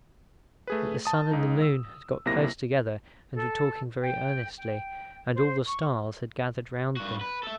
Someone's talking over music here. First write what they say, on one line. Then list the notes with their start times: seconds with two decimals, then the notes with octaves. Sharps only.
But the sun and the moon had got close together and were talking very earnestly, and all the stars had gathered round them.
0.67 A3 G#4 B4
1.05 A5 D#6
1.31 C#2 D#4
1.62 E6
2.25 B1 C3 A#3 E4 A#6
3.34 A4
4.01 G5
4.57 G5
5.35 C5
5.66 C#6
6.97 G2 F#4
7.21 B4
7.43 A4 E5